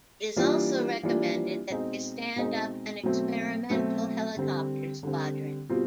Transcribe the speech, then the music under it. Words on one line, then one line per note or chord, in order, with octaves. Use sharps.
It also recommended that they stand up an experimental helicopter squadron.
E3 G3 A#3 D4 F4
E3 G3 A#3 D4 F4
B2 G#3 C4 D#4 G#4
B2 G#3 C4 D#4 G#4
B2 F#3 A3 C4
B2 F#3 A3 C4
D3 G3 C4
D3 G3 C4
B2 G3 C4 F4